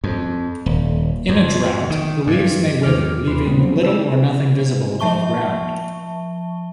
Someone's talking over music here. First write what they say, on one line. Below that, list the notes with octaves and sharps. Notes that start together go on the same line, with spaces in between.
In a drought, the leaves may wither, leaving little or nothing visible above ground.
F2
D#1
F2
D#3
G2
E2 D#3 D6 F6
D#2 E3 B4 C6
A#2 G3 B3 C4
F3 F#3 C4
E4 A4 E6
F3 E5 A5 C#6 G7